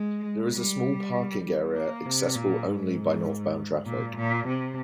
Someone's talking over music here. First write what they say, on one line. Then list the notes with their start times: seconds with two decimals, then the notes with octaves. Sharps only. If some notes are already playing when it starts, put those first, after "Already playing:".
There is a small parking area accessible only by northbound traffic.
Already playing: G#3
0.54 G3
1.45 G3
1.75 A#3
2.05 C3
2.35 A#2
2.66 G#2
3.86 A#2
4.16 A#2
4.47 C3